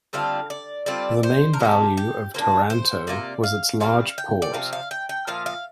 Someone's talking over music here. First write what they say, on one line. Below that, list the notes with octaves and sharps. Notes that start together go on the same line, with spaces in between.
The main value of Taranto was its large port.
D3 G3 C4 F4 F5
D5
D3 G3 C4 F4 D5
C5
A#4
C3 A#3 D4 G4
G4
F3 A#3 D4 C5
C5
C3 A#3 F4 D5
F5
A#2 G3 C4 F5
G5
D5
C3 F3 C4 F5
F5
G5
G5
A#2 F3 F5
F5